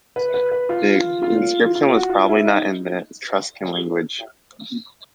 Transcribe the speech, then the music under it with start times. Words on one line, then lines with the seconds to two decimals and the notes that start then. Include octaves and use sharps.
The inscription was probably not in the Etruscan language.
0.16 B4
0.34 B4
0.51 B4
0.69 F4
1.23 F4
1.75 F4
1.93 F#4
2.09 F4
2.28 E4
2.45 D#4